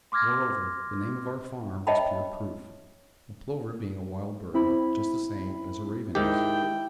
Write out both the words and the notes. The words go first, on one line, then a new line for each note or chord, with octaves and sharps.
Moreover, the name of our farm was pure proof; a plover being a wild bird, just the same as a raven is.
C6 D6 F6 G#6 A#6
C#5 D#5 E5 G5 A5 B5
C4 E4 B5
G#2 D#3 E4 G4 G5